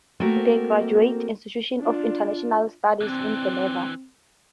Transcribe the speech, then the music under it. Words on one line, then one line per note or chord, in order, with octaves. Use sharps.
Dunkel was educated at the Graduate Institute of International Studies, in Geneva.
A3 A#3 C4 F#4 A#4
D4 F4
E3 C4 D4